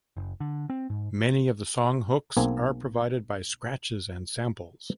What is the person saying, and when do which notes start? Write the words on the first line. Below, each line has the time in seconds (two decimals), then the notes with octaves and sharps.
Many of the songs hooks are provided by scratches and samples.
0.17 F#1
0.40 D3
0.70 C4
0.90 G#2
2.37 B1 A#3 C4 G#4 G#5